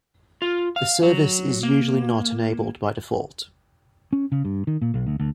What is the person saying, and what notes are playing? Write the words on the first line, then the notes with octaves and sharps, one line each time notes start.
The service is usually not enabled by default.
F4
F5
F#3
A#3
C#4
C#3
G2
D#3
A#2
B1
D2
D2